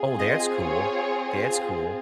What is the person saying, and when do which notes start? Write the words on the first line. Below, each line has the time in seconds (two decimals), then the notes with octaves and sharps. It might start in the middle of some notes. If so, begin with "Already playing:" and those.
Oh, that's cool that's cool.
Already playing: C4 F4 G#4
0.19 D#5
0.59 C#5